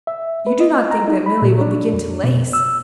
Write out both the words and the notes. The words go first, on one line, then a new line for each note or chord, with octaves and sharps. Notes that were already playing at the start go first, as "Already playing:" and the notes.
"You do not think that Milly will begin to lace?"
E5
B4
D#5
A#5
D#4
B5
A#2
D4
F2
B2
E6